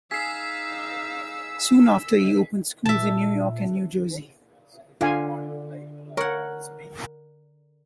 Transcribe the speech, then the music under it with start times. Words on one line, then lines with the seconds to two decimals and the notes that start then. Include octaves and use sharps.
Soon after, he opened schools in New York and New Jersey.
0.11 D#4 G#4 F5 E6 B6 C7
2.85 A#2 E5 A5
5.01 D3 F4 F5 G#5
6.17 A#4 C#5 F#5 C#6